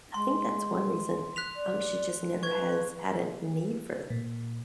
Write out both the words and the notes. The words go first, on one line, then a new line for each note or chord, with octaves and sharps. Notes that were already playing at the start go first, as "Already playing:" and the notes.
I think that's one reason, um, she just never has had a need for
G#3 C6
F#6 B6 F7
D5
B4 C#6 G#6
A#2